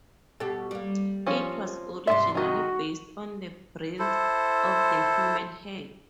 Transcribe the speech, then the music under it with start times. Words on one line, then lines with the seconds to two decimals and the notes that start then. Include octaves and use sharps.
It was originally based on the breadth of a human hand.
0.40 B2 G4 A4
0.71 G3 A#3
1.27 F3 C4 C#4
2.07 G#2 C3 G3 E5 C6
2.35 D#3 D#4 F#4
3.99 E4 A4 C5